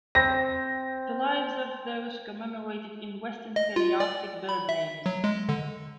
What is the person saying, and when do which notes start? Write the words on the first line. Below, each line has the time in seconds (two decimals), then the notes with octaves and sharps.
The Lives of Those Commemorated in Western Palearctic Bird Names.
0.15 C4 A#6
3.56 D#5
3.76 F4
4.00 D5
4.49 B5
4.69 E5
5.06 F#3
5.24 G#3
5.49 D3